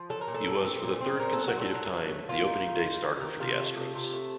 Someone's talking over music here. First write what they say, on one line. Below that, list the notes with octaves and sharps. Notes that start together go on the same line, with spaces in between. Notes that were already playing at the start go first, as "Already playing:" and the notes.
He was for the third consecutive time, the opening day starter for the Astros.
Already playing: F3
F#3 A4
A#4
A#2
A4
A#2
C4 A4
A#2
C4
A#2 A#4
A4
F#3
F#4
A#2 A4
F#3
F#3
A3
A#3 F4
D#4
D#3
D#3
D#3
D#3
C3 F4
A3
C3
C3
A3